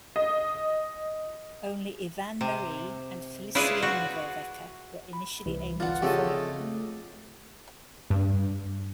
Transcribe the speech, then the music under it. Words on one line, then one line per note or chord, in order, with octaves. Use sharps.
Only Yvan Marie and Felicien Vervaecke were initially able to follow him.
D#5
C3
E4 F4 G#4 B4 D5
F#4
B5
C2 E3
G1 D4 F4 F#5 A6
C#3 F3 A3 C4 F4 G4 A4 D#5
A3
G2